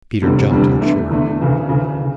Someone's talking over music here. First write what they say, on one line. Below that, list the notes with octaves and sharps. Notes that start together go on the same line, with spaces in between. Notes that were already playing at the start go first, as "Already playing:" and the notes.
Peter jumped and shivered.
F1 E2 D3 G3
F1 E2 D3 G3
E2 D3 A3
E2 D3 A3
D2 C#3 E3
D2 C#3 E3
C#3